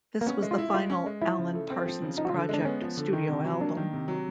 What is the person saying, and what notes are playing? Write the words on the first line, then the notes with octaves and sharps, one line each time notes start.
This was the final Alan Parsons Project studio album.
A#3
B3 C#4
G#3
F4
E4
G#3 F4
C#4
G#3
F3 E4
C#3
A3
C4
F3
C#3
F3 D#4
F#4
F4
D3
G#3 D4
B3 C#4
F3
D3
D#3
C3
F#3
A#3 D4
D#3
C3
F#3